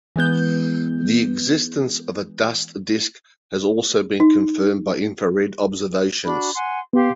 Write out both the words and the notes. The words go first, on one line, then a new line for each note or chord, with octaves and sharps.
The existence of a dust disk has also been confirmed by infrared observations.
E3 G#3 B3 G6
D#4
D4 F#4 B5
F#5 G#5 C6
B3 G4 F5 C6